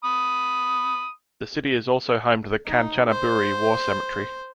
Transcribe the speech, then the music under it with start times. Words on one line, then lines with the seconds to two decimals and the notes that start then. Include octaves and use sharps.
The city is also home to the Kanchanaburi War Cemetery.
0.04 B5 D#6
2.67 D#4
3.09 C5